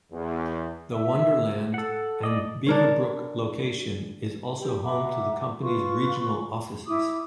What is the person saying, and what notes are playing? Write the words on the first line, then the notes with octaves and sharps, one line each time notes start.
The Wonderland and Beaverbrook location is also home to the company's regional offices.
E2
E5
A4 F#5
D5 D#5
D4 A#4 C#5
G4 G5
E5 F#5 A#5 D6
F4 B4 C6 C#6
E4 D6 D#6